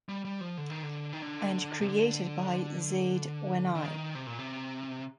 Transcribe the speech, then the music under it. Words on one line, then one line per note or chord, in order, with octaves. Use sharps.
And created by zaid wani.
G3
G3
F3
D3
D#3
D3
D#3
D3
C3
D3
D3
D#3
C3
A#2
C3